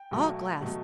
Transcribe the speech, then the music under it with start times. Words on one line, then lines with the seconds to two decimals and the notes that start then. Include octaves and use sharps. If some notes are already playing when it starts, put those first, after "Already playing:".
"All glass."
Already playing: G5
0.11 B1 B2 F#3 A3
0.61 B2 F#3 A3